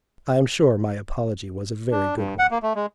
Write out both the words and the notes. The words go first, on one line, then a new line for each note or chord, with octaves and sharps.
I am sure my apology was a very good one.
D4
G2
F#5
A#3
A3
G#3